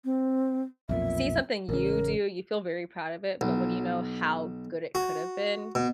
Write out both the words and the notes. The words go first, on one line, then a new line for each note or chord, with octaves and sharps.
see something you do, you feel very proud of it, but when you know how good it could've been,
C4
B1 F2 A#2 E5
A1 C#3 A#4
B1
F#4
B2